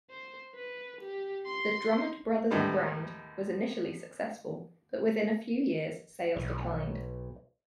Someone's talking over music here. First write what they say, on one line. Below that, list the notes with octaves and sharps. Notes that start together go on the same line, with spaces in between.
The Drummond Brothers brand was initially successful but within a few years sales declined.
C5
B4
G4
C6
D#2 A2 D3 G3 G#3 B3
B1